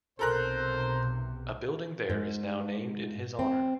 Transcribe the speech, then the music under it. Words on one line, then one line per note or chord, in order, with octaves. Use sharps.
A building there is now named in his honor.
B1 C3 A4 A#4 C5 F#6
G#2
C4